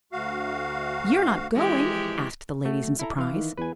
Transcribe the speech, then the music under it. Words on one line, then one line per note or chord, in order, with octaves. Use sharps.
"You are not going?" asked the ladies in surprise.
D2 F#4 F5
F2 E3 G#3 G4
A3 F#4
E4 A4 A#5
E3 F5
D#3
E2 B4 G#5